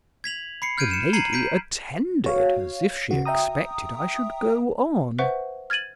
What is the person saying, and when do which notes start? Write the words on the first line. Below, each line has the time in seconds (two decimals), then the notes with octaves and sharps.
The lady attended as if she expected I should go on.
0.24 G#6 B6 F7 F#7
0.62 B5 C7 C#7
0.78 F6 G6 G#6 D7 D#7
0.91 C#7 E7
1.13 A#5 G#6 C7 C#7 D#7 F#7
1.33 G6 B6 D7
2.24 F#4 C#5 F5
3.11 C#3 F#4
3.25 E5 G5 A#5 D#6
5.18 B4 C5 E5 F#5 C#6
5.70 F6 G#6 A6 D#7 F#7